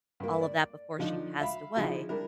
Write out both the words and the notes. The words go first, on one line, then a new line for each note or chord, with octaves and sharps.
all of that before she passed away,
G2 A#3
D5
D3 F3 D4 D#4
E5 F5 B5
D3 F3 D#4 E4 F#4 G#4
G3 D4 E4 A#4